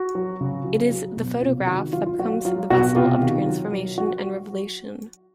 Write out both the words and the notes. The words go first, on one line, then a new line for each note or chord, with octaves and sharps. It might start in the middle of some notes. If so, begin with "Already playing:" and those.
It is the photograph that becomes the vessel of transformation and revelation.
Already playing: F#4
F#3
C#3
F#3
F#3
B2
C3 F4
D#3 F#4
F#3 F4
F4
F#3 F#4
F#3 F4
B2 F#4
C3 F4 G4
D#3
F#3
F#3
F#3 F#4